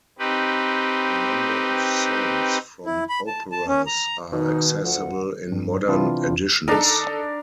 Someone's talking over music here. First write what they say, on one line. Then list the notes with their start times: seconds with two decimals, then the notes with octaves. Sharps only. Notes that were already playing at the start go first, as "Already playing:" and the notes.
A number of songs from operas are accessible in modern editions.
0.19 C4 D#4 G4 B4
2.86 E4
3.09 B5
3.27 A5
3.52 A5
3.68 C#4
3.87 A#5
4.32 B2 D#3 D#4
4.84 D2 F3 F#5
5.52 G2
5.87 C3 E3 C4 D4 E4 F4
6.68 D4 D#4 A4 A#4